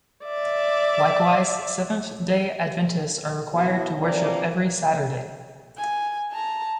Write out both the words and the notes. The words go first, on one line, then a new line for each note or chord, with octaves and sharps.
Likewise, Seventh-day Adventists are required to worship every Saturday.
D5 E5
B2 E4
C3 E3 F3 A#3 D5
G#5
A5 A#5